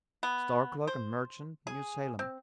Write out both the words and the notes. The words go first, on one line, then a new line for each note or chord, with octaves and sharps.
Store clerk and merchant, New Salem.
B3
C5
G#4
C4